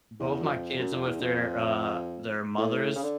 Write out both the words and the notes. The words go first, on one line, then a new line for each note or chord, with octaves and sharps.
Both my kids are with their, uh, their mothers,
E2
F#2
F2
F#2
F2
E2
F2
A2
C#3
D3